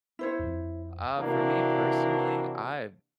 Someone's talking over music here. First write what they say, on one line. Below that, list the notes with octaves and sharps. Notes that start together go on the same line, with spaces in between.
Uh, for me personally, I
E4 C5 C#5
F2
C3 E3 A#3 D4 E4 F#4